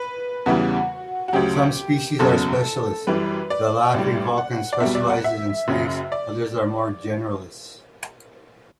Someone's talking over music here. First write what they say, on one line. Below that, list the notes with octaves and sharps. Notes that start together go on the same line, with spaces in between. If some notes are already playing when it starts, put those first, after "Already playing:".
Some species are specialists, the laughing falcon specialises in snakes, others are more generalist.
Already playing: B4
E2 C#3 E3 G3 F#4
F#4
D2 C#3 F#3 G4
F#1 E2 C#3 F#3 A4
F#2 E3 G3 B4
D5
A1 A2 G3
F#5
D5
E2 B2 G3 E5
D5
F#5
E5
F#1 F#2 C#3
D5